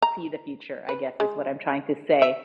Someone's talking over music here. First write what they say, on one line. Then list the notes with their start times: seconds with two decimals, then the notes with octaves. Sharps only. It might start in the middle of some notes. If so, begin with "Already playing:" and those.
see the future, I guess is what I'm trying to say.
0.02 A#5
0.89 B4
1.20 G#3
2.22 E5